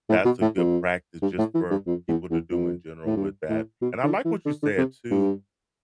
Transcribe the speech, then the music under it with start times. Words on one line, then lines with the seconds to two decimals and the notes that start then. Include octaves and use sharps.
that's a good practice just for people to do in general with that. And I like what you said, too,
0.09 A2
0.25 B2
0.41 A2
0.57 F2
1.22 G2
1.39 A2
1.55 E3
1.70 G2
1.87 F2
2.09 E2
2.30 E2
2.52 F2
3.06 A2
3.17 G2
3.49 A2
3.82 B2
4.03 D3
4.25 E3
4.46 D3
4.63 D3
4.78 C3
5.11 G2